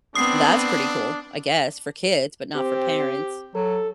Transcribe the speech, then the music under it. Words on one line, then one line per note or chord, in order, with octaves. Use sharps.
That's pretty cool, I guess for kids, but not for parents.
B3 C4 D4 D#6 C7
C4 G4
F#3 A4